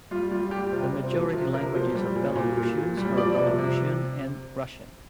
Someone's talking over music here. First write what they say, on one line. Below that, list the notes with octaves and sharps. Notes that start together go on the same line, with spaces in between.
The majority languages of Belarusians are Belarusian and Russian.
G3 F4
G3 F4
G3 G4
C3 F4
C3
C4
F3
C3 F4
C3 A#4
F3 C5
G3
A#2
A#2
A#2
A#2
G3
F3 D5
C3
C3